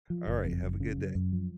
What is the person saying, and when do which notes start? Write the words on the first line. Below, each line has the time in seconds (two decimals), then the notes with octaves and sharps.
Alright, have a good day.
0.10 F3
0.27 F#1
0.45 F2
0.63 F#1
0.80 C#3
0.97 F#2
1.15 F#2
1.32 F3